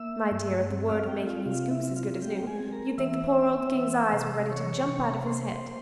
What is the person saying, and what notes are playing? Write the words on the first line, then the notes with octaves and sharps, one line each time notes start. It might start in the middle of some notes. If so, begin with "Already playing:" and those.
My dear, at the word of making his goose as good as new, you'd think the poor old king's eyes were ready to jump out of his head.
Already playing: A#3 E5 E6
G2
C4
F5 F6
C4 G4 G5
F4 F5
C3 F4 F5
E4 E5
C4
F4 F5
G#3 G4 G5
G#4 G#5
C4
A#4 A#5
E3 E5 E6
C4
E3
C3
E3 C#5 C#6
C3
A#3 C5 C6